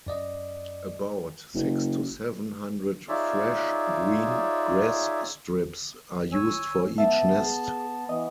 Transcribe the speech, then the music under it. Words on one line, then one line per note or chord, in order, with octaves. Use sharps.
About six to seven hundred fresh, green grass strips are used for each nest.
F#2 D5 D#5
F#1
D#4 F4 G#4 C#5 D5 E5
C#5 G#5 E6
B3 E5 A5
G#4
E3 B3 D#5